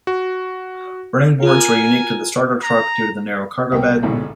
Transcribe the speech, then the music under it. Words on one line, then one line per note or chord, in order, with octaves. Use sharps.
Running boards were unique to the starter truck due to the narrow cargo bed.
F#4
F4 A#4 G#5
A#5
C2 A#4 G5
A1 D2 G#2 B2 E3